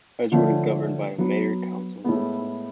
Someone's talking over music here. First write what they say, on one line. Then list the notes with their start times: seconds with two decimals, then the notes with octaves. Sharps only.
Edgewood is governed by a mayor-council system.
0.32 D3 F3 A3 C#4
1.18 F#3 B3 F#4 B4
2.04 A2 G#3 B3